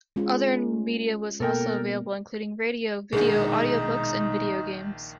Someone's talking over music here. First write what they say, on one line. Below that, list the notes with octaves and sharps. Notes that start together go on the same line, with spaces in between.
Other media was also available, including radio, video, audio books, and video games.
G#3 C#4 F4
B2 A#3 A4 A#4 G5
A#1 B2 D#3 G#3 D4 D#4 G#4 F#5